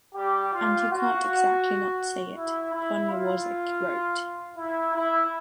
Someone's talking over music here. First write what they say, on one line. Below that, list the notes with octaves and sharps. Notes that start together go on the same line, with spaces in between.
And you can't exactly not say it, Poniewozik wrote.
G3 G4
F4
F#4
E4
E4
F4
E4
E4